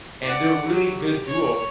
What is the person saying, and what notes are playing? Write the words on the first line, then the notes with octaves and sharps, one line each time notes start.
and they're a really good duo,
D5 F#5
F#3 G4
G4
C#5